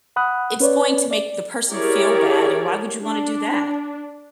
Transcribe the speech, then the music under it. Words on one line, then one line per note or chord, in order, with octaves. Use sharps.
it's going to make the person feel bad, and why would you wanna do that?
F#5 B5 D#6 F#6
C#4 B4 C#5 D5
D5
E4 G4 G#4 A#4 C#5 D5
D4